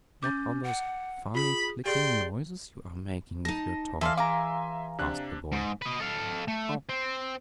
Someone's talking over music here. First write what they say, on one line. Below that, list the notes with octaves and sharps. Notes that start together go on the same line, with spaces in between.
"What are those funny, clicking noises you are making with your tongue?" asked the boy.
C#4 D6 G6 A6
F#5
F4 G#4 B5
G4 G#4 D5 G5 C6
D#4 A5 A#6
E3 A4 D5 E5 F5 G#5 C6
G#4 F5 A#5 D6
C3 D4 F#6
G#2
B4 D#5
A4 F5
A3
C4